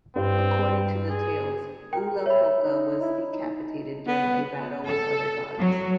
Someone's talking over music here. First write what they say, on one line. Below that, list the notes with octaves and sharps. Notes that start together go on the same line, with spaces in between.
According to the tales, Ulupoka was decapitated during a battle with other gods.
G2 C4
G#4
A#4 G5
C#5 E5 B5
D#4
E4
D#4
B3
A4
F#3